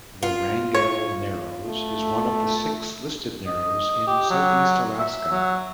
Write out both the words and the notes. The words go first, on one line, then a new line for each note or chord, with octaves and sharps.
The Wrangell Narrows is one of the six Listed narrows in Southeast Alaska.
F4
C#5
A3
D#5
G4
F#3
E5
F#3